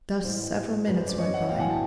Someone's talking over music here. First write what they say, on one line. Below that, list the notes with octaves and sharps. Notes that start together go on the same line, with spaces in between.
Thus several minutes went by.
A1 G#2 E3 G#3 C5
G#1 F#2 C#3 B4
C5
C5 D5
C#5 D#5
E5 F#5
B1 A2 E3 G#3 F5 G5
F#5 G#5
G5 A5